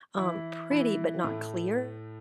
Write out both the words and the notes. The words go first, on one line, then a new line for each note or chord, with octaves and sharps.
um, pretty but not clear,
E3 E4
E3 E4
A2 A3